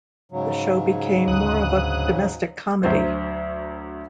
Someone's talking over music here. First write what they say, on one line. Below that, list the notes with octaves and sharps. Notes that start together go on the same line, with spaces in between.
The show became more of a domestic comedy.
G#2 C#3 F#3
D2 D#6 F#6
D2 F#3 C5